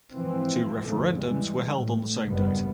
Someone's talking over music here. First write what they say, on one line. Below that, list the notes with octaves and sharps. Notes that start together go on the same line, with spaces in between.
Two referendums were held on the same date.
G#2 E3 F3 C4
E2 G#2 D3 F3 A3
E3 G3 G#3
A2
F#1 E2 G2 D#3 G3 B3